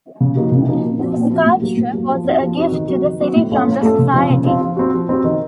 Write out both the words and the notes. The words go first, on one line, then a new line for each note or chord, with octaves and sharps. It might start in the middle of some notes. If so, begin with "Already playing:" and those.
The sculpture was a gift to the City from the Society.
C#3
F3 A#3 D#4 F#4
C#3
F3 A#3 D#4 F#4
A#2
F3 C4 F#4
A#2
F3 C4 F#4
A2
F#3 A#3
A2
F#3 A#3
F3
C4 D#4 F#4
F3
C4 D#4 F#4
D#3
F#3 C4 F#4
D#3
F#3 C4 F#4
A2
A3 C#4 F4
A2
A3 C#4 F4
C#3
F3 C4 F4
C#3
F3 C4 F4
F3
C4 F#4
F3
C4 F#4
D#3